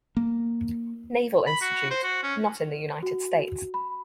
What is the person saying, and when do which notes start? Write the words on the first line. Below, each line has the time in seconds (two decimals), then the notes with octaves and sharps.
Naval Institute, not in the United States.
0.17 A#3
1.47 B5
1.61 F#4
1.91 C5
2.03 F#4
2.23 C#4
3.03 F#4
3.74 B5